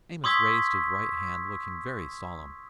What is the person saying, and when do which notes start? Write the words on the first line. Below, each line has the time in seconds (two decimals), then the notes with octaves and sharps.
Amos raised his right hand looking very solemn.
0.24 C6 C#6 D#6 E6 G#6 B6